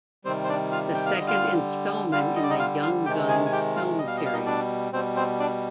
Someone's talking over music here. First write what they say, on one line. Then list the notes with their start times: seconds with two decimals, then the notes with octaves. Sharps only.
The second installment in the "Young Guns film series".
0.24 C3 D#3 G3 C4 C5
0.44 C5
0.49 D4 D5
0.71 F4 F5
0.95 G5
1.06 F5
1.16 D3 G3 D#5
1.27 F4 F5
2.12 G3 F4 F5
2.15 D3
2.36 D#5
2.43 D5
2.50 D#4 D#5
2.59 F4 F5
2.82 F4 F5
3.06 C3 D#3 G#3 G4 G5
3.28 G#4 G#5
3.46 G#5
3.52 G4 G5
3.75 F4 F5
3.99 B2 G3 D#5
4.07 F5
4.17 D#5
4.26 F5
4.33 D#4 D#5
4.46 D4 D5
4.92 B2 G3 C4 C5
5.16 C4 C5
5.40 D4 D5